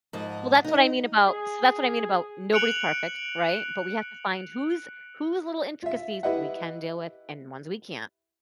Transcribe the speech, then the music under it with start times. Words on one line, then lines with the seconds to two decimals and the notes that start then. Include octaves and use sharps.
Well, that's what I mean about so that's what I mean about, "Nobody's perfect." Right? But we have to find whose whose little intricacies we can deal with and ones we can't.
0.13 G#2 F3 D#5
0.64 D#4 D#5
1.28 G#4
2.53 F#6 C#7 D7 F7 F#7
5.82 F4 E5
6.23 E4 G4 B4 D#5 E5 F#5